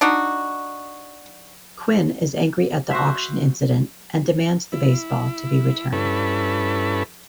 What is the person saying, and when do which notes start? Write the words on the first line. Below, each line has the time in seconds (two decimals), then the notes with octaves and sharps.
Quinn is angry at the auction incident and demands the baseball to be returned.
0.01 D4 D#4 F#4
2.91 F#4 C5 E5
4.72 E4
5.92 G2 C#4 E4 A4 B4